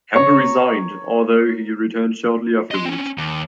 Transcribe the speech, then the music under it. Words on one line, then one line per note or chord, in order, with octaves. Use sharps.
Kempe resigned, although he returned shortly afterwards.
C#5 A#5 C#6
D#5 C6
C4 C#4
D#2